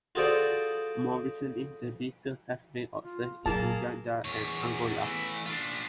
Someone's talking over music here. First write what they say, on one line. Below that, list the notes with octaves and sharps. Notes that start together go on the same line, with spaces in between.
More recently the beetle has been observed in Uganda and Angola.
F4 F#4 G#4 A4 C5 D5
F4
A#2 F#3 A#3 G#4 A5
E2 C#5
E3 A3
D4 F4